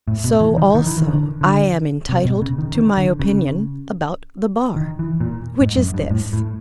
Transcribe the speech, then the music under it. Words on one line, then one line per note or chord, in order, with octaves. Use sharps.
So also I am entitled to my opinion about the Bar, which is this.
A2
B2
E3
D#3
D#3
E3
D#3
D3
D3
C3
B2
C#3
D#3
D#3
D3
C#3
D#3
E3
A#2
G#2
F#2
G2
A2
A2